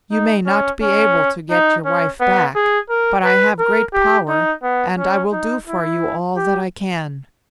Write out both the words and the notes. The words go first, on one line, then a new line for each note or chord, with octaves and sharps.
You may not be able to get your wife back, but I have great power and I will do for you all that I can.
D#4
C#4
C#4
D#4
C#4
B3
G#4
A#4
B4
A#4
G4
D#4
B3
C#4
D#4
E4
G4